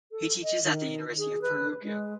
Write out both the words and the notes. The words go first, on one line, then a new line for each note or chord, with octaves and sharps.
He teaches at the University of Perugia.
A4
D#5
D#3
G#4
B4
G#3